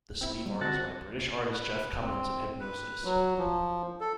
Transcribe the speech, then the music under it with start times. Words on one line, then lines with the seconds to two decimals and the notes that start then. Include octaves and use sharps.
The sleeve-art is by British artist Jeff Cummins and Hipgnosis.
0.21 C4 E4
0.46 G3
0.61 D3 C4 F#4 A5
1.52 B4
2.01 C4
2.60 B4
3.04 F#3
3.38 F3
4.00 A4